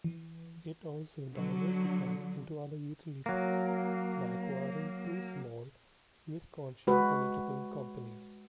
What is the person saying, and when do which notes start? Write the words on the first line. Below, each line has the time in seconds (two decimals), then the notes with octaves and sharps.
It also diversified into other utilities by acquiring two small Wisconsin electrical companies.
0.04 E3
1.33 D3 F#3
3.26 F#3 A#3
6.87 G#3 F#4 B4